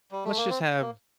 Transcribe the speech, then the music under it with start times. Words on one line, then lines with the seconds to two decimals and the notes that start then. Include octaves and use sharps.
let's just have,
0.12 G3
0.25 A3
0.37 A#3
0.50 C4
0.81 A#3